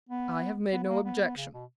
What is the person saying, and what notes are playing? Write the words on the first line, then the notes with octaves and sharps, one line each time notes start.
"I have made no objection."
B3
B3
B3
A#3
B3
B3
C#3
B2